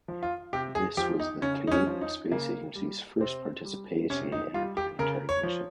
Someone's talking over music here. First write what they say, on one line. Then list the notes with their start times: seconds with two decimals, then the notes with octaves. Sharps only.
This was the Canadian Space Agency's first participation in an interplanetary mission.
0.08 F3
0.23 F4
0.53 C3 G4
0.75 G#4
0.97 F3 G4
1.20 D#4
1.42 C#3 C#4
1.67 D#4
1.72 C#4
1.87 F3
2.01 D#4
2.32 C#3 A#3
2.75 G3
3.20 C3 C4
3.65 G3
4.10 C3 C#4
4.32 D#4
4.54 G3 F4
4.77 G4
4.99 C#3 A#4
5.29 C#5
5.43 F3